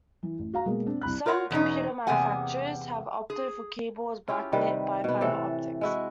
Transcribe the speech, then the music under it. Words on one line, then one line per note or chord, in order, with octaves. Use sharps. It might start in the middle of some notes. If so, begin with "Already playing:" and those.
Some computer manufacturers have opted for keyboards back-lit by fiber-optics.
E3
A1
F#4 F5 A#5
B2 G#3 A#3
C4 D4
C2 B5 F#6
F4 A#4 C#5 D#5 F#5
E2 B2 C#4 D#4
E2 C3 A#3 G#4 F#5 G#5
G#4
C#4 E4 F4 G4
C3 D#3 G3 B4
B2 B3
A2 C3 E3 A4
G#3 E4 F#4